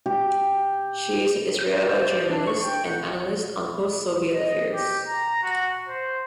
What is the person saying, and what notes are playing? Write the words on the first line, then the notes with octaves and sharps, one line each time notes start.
She is an Israeli journalist and an analyst on post-Soviet affairs.
G4
G6
C5
D5
D4
C#6
G5
F#5
D#5
G4
A#5
F#4
C5